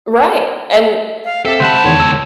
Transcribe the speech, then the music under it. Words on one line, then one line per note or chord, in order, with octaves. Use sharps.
Right, and
F5
C4 G4 A4 E5
C#2 C5 F#5 A5 B5
E2 D#3 C#5
E6